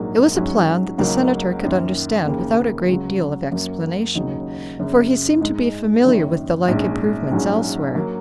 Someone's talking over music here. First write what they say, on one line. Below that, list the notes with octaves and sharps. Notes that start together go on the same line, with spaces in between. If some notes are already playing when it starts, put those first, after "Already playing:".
It was a plan that the Senator could understand without a great deal of explanation, for he seemed to be familiar with the like improvements elsewhere.
Already playing: A#1 G#2 F#3 A#3
G#2 F#3 C#4
C#2 C#3 F#3 A#3 D#4
F#2 D#3 A#3
D#2 C#3 A#3
C#2 C#3 F#3
F#2 F#3 A#3
D#2 C#3 F#3 D#4
F#1 F#2 C#3
G#2 G#3 D#4
F#1 F#2 D#3
A#1 G#2 G#3 C#4
A#1 G#2 F#3 C#4
F#3 A#3